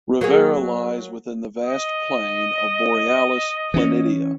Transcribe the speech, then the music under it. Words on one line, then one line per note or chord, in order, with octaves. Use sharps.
Rivera lies within the vast plain of Borealis Planitia.
F#3 A#3 G#4
D#5
E3 C#4